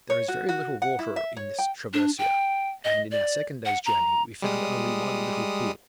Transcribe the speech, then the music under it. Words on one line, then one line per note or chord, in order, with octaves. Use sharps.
There is very little water in this "traversia," and in our second day's journey we found only one little pool.
C#5
F#4
F#4
F#5
E4
E5
C#5
G5
D4
G5
D#5
D5
F#5
A#5
G3 G#3 D#6